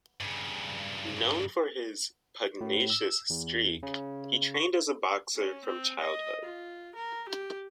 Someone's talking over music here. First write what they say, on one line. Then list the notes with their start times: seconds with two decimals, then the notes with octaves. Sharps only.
Known for his "pugnacious streak," he trained as a boxer from childhood.
0.21 G2 C#3
2.61 A2
2.90 E6
3.30 E2
3.83 C#3
4.54 C#6
5.36 C#4
5.65 C4
6.00 D#5
6.43 F4
6.95 A#4
7.29 G4